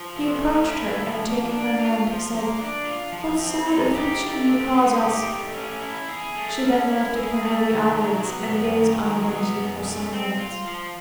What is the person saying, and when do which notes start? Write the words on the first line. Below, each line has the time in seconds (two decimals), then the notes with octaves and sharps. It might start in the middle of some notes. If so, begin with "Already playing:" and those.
He approached her, and taking her hand, said: "What sad affliction you cause us!" She then lifted her heavy eyelids, and gazed on Genji for some minutes.
Already playing: F3
0.16 A3
0.43 C#4
0.71 E4
0.97 F3
1.24 A#3
1.51 D4
1.78 F4
2.05 F3
2.32 A#3
2.59 D4
2.85 F4
3.12 F3
3.39 C4
3.66 D#4
3.93 G4
4.20 A3
4.47 C4
4.74 D#4
5.01 G4
5.28 A3
5.54 C#4
5.81 E4
6.08 G#4
6.35 A3
6.62 C#4
6.89 E4
7.15 G#4
7.43 A3
7.70 D#3
7.96 F#3
8.23 B3
8.50 F#2
8.76 D#3
9.04 F#3
9.31 B3
9.57 F#2
9.85 A3
10.12 C4
10.38 F4
10.65 F3